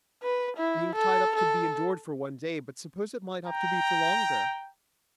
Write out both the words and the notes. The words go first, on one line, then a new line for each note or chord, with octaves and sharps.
Being tied up could be endured for one day, but suppose it might have to be for longer?
B4
E4
A4
A4
G5 A#5